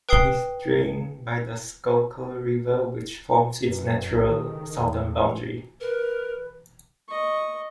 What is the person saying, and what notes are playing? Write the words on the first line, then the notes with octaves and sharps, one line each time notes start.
It is drained by the Schuylkill River which forms its natural southern boundary.
B4 G5 D#6 C7 G7
F#2 B4
B1 D#4 G4 B4
D#3 G#4 A4 D#6
E2
A#4 B4
D#5 C#6